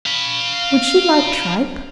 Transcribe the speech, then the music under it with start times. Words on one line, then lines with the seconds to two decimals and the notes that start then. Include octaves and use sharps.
Would she like tripe?
0.06 F5 B5